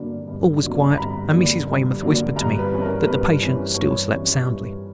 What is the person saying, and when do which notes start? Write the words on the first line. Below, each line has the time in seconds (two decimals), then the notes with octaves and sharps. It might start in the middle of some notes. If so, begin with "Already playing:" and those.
All was quiet, and Mrs. Weymouth whispered to me that the patient still slept soundly.
Already playing: G2 D3 F#3 A#3 D4
0.28 G2
0.63 D3 F#3 A#3 D4
0.91 A#5
0.97 G2 B5
1.31 D3 F#3 A#3 D4
1.66 G2
2.01 D3 F#3 A#3 D4
2.36 G2 A#5
2.59 B4
2.71 E3 G3 C#4
2.82 A#4
3.05 G2 B4
3.40 E3 G3 C#4
3.74 G2 C#5
4.10 E3 G3 C#4
4.44 G2